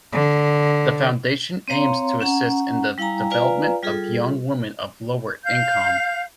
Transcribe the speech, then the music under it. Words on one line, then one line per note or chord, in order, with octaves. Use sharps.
The foundation aims to assist in the development of young women of lower-income.
D3
C4 C#5 F5 A#5 C6
C#4 F#5 A#5
G3 E4 F5 G5 G#5 A#5
F4 B4 D5 F5 G#5 A#5
G3 F4 G#4 A4
F5 G6